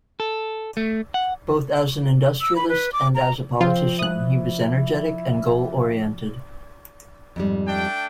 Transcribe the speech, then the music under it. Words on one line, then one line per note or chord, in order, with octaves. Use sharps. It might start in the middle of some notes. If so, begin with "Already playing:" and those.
Both as an industrialist and as a politician he was energetic and goal-oriented.
A4
A3
F#5
E6
B5
B4
D6
A#5
F3 C4 F4
E4 D#6 F#6
F2 G#2 G3
A3 D4 G5